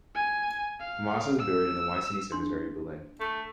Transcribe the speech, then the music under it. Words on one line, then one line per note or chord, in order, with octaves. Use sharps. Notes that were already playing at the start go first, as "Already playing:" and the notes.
Mosse is buried in the Weissensee Cemetery, Berlin.
G#5
F5
E6
D4 C6
A3